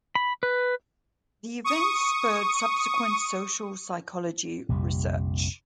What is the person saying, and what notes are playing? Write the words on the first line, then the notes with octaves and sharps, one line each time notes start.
The event spurred subsequent social psychology research.
B5
B4
C#6 D#6
A#1 F2 C3 G3